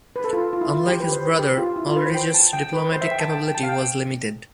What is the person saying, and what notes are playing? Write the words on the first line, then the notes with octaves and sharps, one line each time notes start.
Unlike his brother, Ulrich's diplomatic capability was limited.
B4
A4
F4
F4
E4
F4
G4
B4
C5
B4
G4
F4
E4
F4
B4
C5
G5
A5
G5
B4
C5
E5
G5
A5
G5
G5
A5
F5
G5